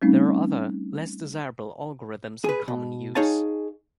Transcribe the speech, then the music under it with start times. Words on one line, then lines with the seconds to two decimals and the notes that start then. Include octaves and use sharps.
There are other, less-desirable algorithms in common use.
0.02 G3 A3 C4 C#4 D#4
2.44 G#4 B4
2.68 B2
3.15 D#4 G#4 C#5 F5 G#5 A5